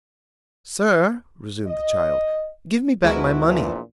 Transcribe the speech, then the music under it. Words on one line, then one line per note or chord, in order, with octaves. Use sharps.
"Sir," resumed the child, "give me back my money."
D#5
D2 B2 F3 G#3 E4 F#4 A#4 B4
A#1 E2 A#2 E3 F3